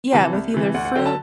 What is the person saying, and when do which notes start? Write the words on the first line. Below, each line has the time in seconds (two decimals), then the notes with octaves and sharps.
Yeah, with either fruit,
0.13 C3 E3 A5
0.33 C2
0.54 C3 E3
0.74 D2 F#5
0.85 F#5
0.95 D3 F#3 G5
1.06 A5